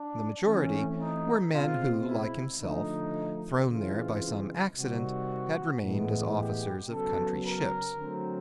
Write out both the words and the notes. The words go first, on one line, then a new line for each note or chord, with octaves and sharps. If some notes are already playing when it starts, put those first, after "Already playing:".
The majority were men who, like himself, thrown there by some accident, had remained as officers of country ships.
Already playing: D4
E3 A3 C4 C#4
D#4
B2 G#3 C4 F4
E4
D3 F3 A3 D#4
C#3 E3 G#3 C4 F4
C3 D#3 G3 C4 F#4
A2 E3 G#3 B3
G4
C#3 F#3 B3 A4
A#4
D3 F#3 A3 C4